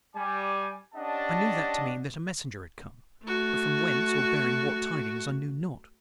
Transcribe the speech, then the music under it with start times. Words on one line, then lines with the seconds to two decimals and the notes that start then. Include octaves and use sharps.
I knew that to mean that a messenger had come; but from whence or bearing what tidings I knew not.
0.16 G3 G#5 D6
0.94 C#4 D4 G4 D#5 F#5 A5
3.23 A3 F#4